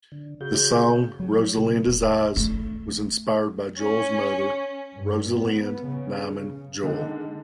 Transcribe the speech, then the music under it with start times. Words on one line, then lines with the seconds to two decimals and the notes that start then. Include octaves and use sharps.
The song "Rosalinda's Eyes" was inspired by Joel's mother, Rosalind Nyman Joel.
0.12 D3
0.41 C#3 F#4 G6
1.20 F#3
1.58 C3
1.87 D#1
2.36 A3
3.78 C#4
4.94 G2
5.34 B3
5.85 C#3
6.84 D3 D#3 G#3